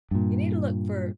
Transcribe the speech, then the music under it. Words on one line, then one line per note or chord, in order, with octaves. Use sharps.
you need to look for
G2 A#2